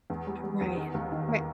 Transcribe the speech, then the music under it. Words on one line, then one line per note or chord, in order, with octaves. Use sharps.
Right. Ri
E2
G3
G3
E2
D#3
D#2
D#3
A#3